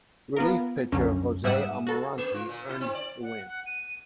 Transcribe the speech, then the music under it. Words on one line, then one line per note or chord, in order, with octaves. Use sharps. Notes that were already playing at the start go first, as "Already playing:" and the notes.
Relief pitcher Jose Almarante earned the win.
B3 F4 A#4
C2 F#2 D3 C#4
G#2 G3 E5 F#5 D#6 E7
F#4 A4
A#3
F4
A#2
E4
C4
D5
F#5
F#5
D#7